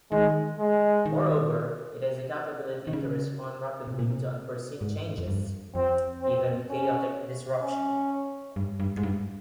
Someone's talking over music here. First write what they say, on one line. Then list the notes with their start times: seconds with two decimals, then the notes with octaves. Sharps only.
Moreover, it has the capability to respond rapidly to unforeseen changes, even chaotic disruption.
0.11 D#3 G#3
0.59 G#3
1.06 D#3
2.87 D#3
2.93 C#3
3.87 C3
3.99 A#2
4.10 C3
4.81 G#2
5.18 F2
5.27 G2
5.75 F2 C4
6.22 C4
6.69 C#4
7.62 C#4
8.56 G2
8.80 G2
8.97 G#2
9.03 G2